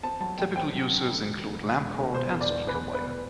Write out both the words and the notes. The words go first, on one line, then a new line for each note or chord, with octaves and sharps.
Typical uses include lamp cord and speaker wire.
C4 A5
F#3 A5
A1 G5
C4 G5
F#3
G2
D2
E1
D2
E1
E1
D2
B2 C5
E2
D5
E2
E2 B4
E2
B4
B2